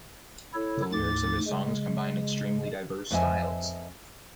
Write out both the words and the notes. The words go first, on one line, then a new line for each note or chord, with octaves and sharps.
The lyrics of his songs combine extremely diverse styles.
E4 A4 C#5
D2 G#2 D6 A6
C#3 G#3
F2 B4 D#5 E5 G#5